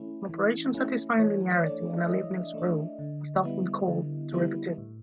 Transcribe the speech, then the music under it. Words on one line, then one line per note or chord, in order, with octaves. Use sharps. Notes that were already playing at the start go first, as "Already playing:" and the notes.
An operation satisfying linearity and a Leibniz rule is often called a derivative.
Already playing: E3 A3 C#4 E4
E3
A3 C#4 E4
E3 C#5
A3 D4 D5
E5
E3 D#5
A3 D4
D3
G3 B3 E4
D3
G3 B3 E4
A2